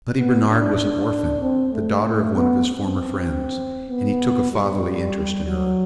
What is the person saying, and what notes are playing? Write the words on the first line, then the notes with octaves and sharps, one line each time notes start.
Letty Bernard was an orphan, the daughter of one of his former friends, and he took a fatherly interest in her.
B3
D4
C4
A3
B3
C4
B3
G3
F#3